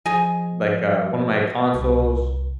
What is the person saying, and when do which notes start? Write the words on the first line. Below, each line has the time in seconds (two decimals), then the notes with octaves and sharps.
like, uh, one of my consoles,
0.06 F3 G#4 D#5 G#5
1.74 C2